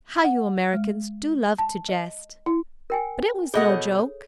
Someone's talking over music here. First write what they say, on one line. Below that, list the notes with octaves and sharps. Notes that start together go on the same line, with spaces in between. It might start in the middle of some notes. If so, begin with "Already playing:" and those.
How you Americans do love to jest.' But it was no joke.
F#5
G#3
A5
D#5
E4
A#4 G5 G#5
B2 G#4 A4 D#5 F#5
C#5